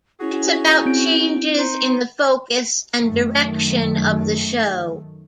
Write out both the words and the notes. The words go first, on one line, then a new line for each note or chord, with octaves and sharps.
It's about changes in the focus and direction of the show.
C#4 E4 F#4 G#4
C4 G6 D7
D#4 C5
F#2 D#3 A3